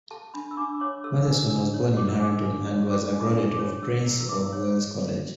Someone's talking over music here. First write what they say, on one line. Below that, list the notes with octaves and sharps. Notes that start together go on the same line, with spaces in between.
Mathieson was born in Harrington and was a graduate of Prince of Wales College.
A4 A5
D4 B5
E6
D4 D6
C#5 D6
A4 E6
D4 E6
D4
C#5
A4 D6
E6
D4 D6
D4
C#5
A4 D6
D4
D6
D4
D6
C#5
A4 E6
E4
E6
E4 D6
C#5